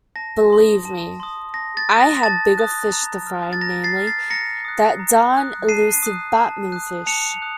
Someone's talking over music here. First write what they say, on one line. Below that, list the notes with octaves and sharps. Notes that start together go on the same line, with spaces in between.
Believe me, I had bigger fish to fry, namely, that darn elusive Batmanfish.
A5 A#6
C6 D#6
A5
C6 D#6
A5 A#6
A6
D#6 F#6
A#6
A5 A6
D#6 F#6
A#5
F6
A6
A#5 A#6
A6 C7
F6
A6 C7
A#5 A#6 C#7
D#6 F#6
A#5
D#6 F#6
A5 C7 D#7
D#6 F#6
A5
D#6 F#6
A5 C#7 F7
D#6 F#6